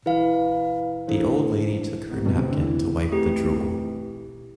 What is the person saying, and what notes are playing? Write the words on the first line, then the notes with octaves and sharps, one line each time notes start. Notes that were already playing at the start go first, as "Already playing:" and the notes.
The old lady took her napkin to wipe the drool.
E3 E4 B4 F5
E3 A3 D4 A4 C5
A3 C4 G4
B2
C3
D3
E3
A3 C4 G4 B4